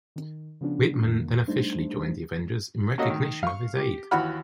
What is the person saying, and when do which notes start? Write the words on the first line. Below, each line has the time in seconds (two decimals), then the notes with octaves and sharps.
Whitman then officially joined the Avengers in recognition of his aid.
0.16 D#3
0.61 C#3 F3 B3 C#4 D4
1.05 F2 D#3 A#3
1.48 G3 A3 D4 D#4 C5
2.98 A3 A#3 C#4 F#4 D#5
3.10 D#3
3.43 F5 C#6
3.76 G4
4.11 D#2 E3 F#4 F#5 B5 F6